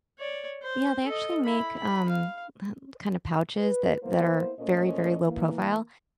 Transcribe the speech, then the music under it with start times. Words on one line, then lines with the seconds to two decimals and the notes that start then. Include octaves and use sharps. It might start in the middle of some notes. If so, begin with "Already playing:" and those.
Yeah, they actually make, um, po kind of pouches that that are very, very low profile
0.19 C#5 D5
0.63 C5
1.06 A4 D#5
1.45 E4 B5
1.77 B5
2.09 F5
3.60 B4
4.02 A#3 B3 E4 C5
4.58 A#2 A3 A#3 C#4 C5 D#5
5.25 E3 A#3